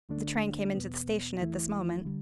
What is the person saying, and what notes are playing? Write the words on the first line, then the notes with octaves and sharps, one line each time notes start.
The train came into the station at this moment.
D2 D3 A3 D4
E2 B2 B3
E2 E3 A3 E4
D3 G3